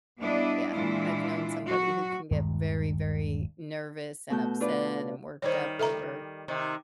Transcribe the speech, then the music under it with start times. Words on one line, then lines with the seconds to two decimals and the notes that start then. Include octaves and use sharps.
yeah, I've known somebody who can get very, very nervous and upset and worked up over
0.19 G3 B3 D4 E4 D5 D#5
0.72 A#2 E3 G#3 D4 E4 F4
1.67 F#3 F#4
2.31 D#1 G2 D#3 G#3
4.30 B2 A3 F#4 G6
4.60 D4 F4 F#4 B4 D5
5.42 D#3 G3 C5 C#5
5.79 A4 E5 A#5
6.48 C3 D#3